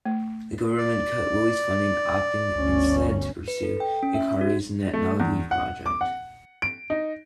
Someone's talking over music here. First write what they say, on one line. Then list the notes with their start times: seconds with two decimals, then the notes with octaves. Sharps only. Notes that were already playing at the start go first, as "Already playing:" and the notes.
The government cut Wily's funding, opting instead to pursue Hikari's NetNavi project.
0.05 A3
0.78 D5
2.52 G1 D2 C#4
3.48 B4
3.63 A4
3.80 G5
4.03 C#4
4.15 E5
4.41 F#4
4.93 A3
5.20 E2
5.51 F#5
5.86 D6
6.01 F#5
6.62 D7
6.90 D#4